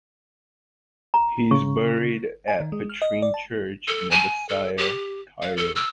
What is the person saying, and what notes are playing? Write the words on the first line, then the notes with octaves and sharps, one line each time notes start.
He is buried at Petrine Church in Abbassia, Cairo.
A#5
C#3 C#6
G#5
D#3
G#3
F6
D#5
D5
A5
A4
G#5
A4
G4
F5
A4
E6